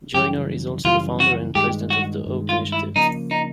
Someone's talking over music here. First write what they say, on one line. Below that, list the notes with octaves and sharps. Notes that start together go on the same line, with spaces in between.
Joyner is also the founder and president of the Oak Initiative.
F#2 C#3 E3 G3 G4
F#2 C#3 E3 G3 F4
F#4
G2 D#3 G#3 G4
F#4
G2 D#3 G#3
F4
E4
C#3 F3 A#3 D#4
D#4